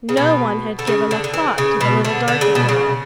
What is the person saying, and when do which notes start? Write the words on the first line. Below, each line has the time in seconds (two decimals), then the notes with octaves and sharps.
No one had given a thought to the little darky girl.
0.09 C#3
0.17 B2
0.79 D3
0.87 C#3
1.11 D3
1.24 D3
1.34 E3
1.58 C#3
1.81 B2
2.04 D3
2.28 D3
2.41 C#3
2.55 B2
2.69 C#3